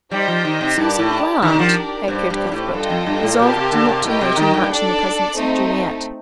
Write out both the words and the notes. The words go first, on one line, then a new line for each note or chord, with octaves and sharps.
"Susan Grant!" echoed Cuthbert, resolved not to know too much in the presence of Juliet.
G3 D#4 G4 C5 D#5 G5
F3
D#3
C3
G2 G4 A#4 D5 A5
A2
D#3 D4 G4 A#4 D5
F3
G2 C4 G4 D5
G2
A2
G2 F4 A4 D#5 G5
F2
G2
A2
A#2 G4 A#4 F5 A5
C3
D3
C3
A2 G4 A#4 D#5 G5
C3
D#3
G2
D4 A4 D5
A3 C4 D#4